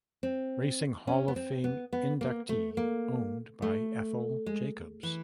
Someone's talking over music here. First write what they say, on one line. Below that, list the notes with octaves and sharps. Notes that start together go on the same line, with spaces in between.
Racing Hall of Fame inductee owned by Ethel Jacobs.
C4
C#4
B3
C4
B3
B3
A#3
A3
A#3
A3
G#3
E3